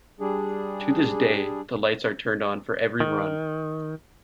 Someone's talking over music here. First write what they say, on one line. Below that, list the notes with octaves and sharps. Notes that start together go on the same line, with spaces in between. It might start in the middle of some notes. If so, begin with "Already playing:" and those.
To this day, the lights are turned on for every run.
G3 D4 G#4
D#3